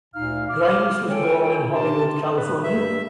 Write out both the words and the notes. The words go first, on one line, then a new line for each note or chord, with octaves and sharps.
Grimes was born in Hollywood, California.
D2 A#2 D#4 F5 F6
D6 F6
F4 A4 C#5 G5 G#5
D4 G4 A#4 A5 C6
B4
G2 E5